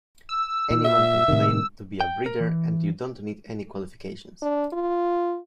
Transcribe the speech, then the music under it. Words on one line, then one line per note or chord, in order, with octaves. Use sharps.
Anyone can claim to be a breeder and you don't need any qualifications.
E6
A#2
E5
A2 C3 D#3
G5
A#4
E3
D4
F4